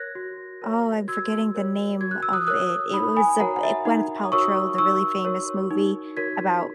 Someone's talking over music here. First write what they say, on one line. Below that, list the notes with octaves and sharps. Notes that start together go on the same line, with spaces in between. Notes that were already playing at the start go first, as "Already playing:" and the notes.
oh, I'm forgetting the name of it. It was a it Gwyneth Paltrow, the really famous movie about
Already playing: A#4 C#5 F#6 G#6 A#6
F#4
A#4 C#5
F#4 E6 G#6
A#4 C#5
F#4 G#6
F#6
E6
D#6 F#6
A#4 C#5 D#6 F#6
D#4 B5 D#6
G#5 B5
F#4 A#4 C#5 F#5 A#5
F#5
E5
D#4 F#5
D#6
F#4 A#4 C#5 C#6 E6
D#4 C#6 E6
F#4 A#4 C#5
D#4
F#4 A#4 C#5 G#6 B6